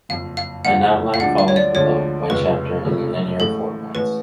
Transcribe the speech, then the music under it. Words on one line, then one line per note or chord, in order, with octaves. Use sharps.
An outline follows below, by Chapter, in linear format.
F#1 F2 F3 F5
F5
F#1 F2 F3 F#5
F5
D2 D3 F3 G#3 D4 F#5
F5
C#5
D5
D2 D3 F3 G#3 D4 C#5
F1 F2 C#3 G#3 C#4 B4
F1 F2 C#3 G#3 C#4
A1 A2 G#3 C#4 A4
A1 A2 G#3 C#4 B4